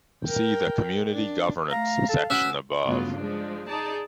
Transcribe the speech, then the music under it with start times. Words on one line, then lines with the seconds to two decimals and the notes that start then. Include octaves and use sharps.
See the "Community governance" section, above.
0.25 A#4 G5
1.12 D4
1.71 A3 F5 A#5
2.09 A4 A5
2.30 C#4 F#4 B4 E6
2.86 G2 C#3 F#3 A3 B3 F4
3.18 F3 G#3 D4
3.68 D#4 G#4 D5 A5